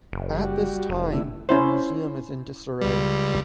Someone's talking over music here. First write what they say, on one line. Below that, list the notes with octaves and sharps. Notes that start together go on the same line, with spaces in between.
At this time the museum is in disarray.
F#1
G3 F#4
F1
D3 A3 E4
C#4 E4 C5
C#2 G3